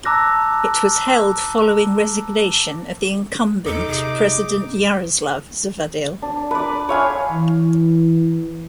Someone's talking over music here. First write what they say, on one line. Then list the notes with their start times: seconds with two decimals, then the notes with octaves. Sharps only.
It was held following resignation of the incumbent President Jaroslav Zavadil.
0.05 A5 A#5 D6 E6 F#6 A#6
3.66 E2 D#4 A4 D6
3.88 C3 G#4
6.22 D4
6.51 B4 D5
6.89 C#5 F5 G#5
7.31 E3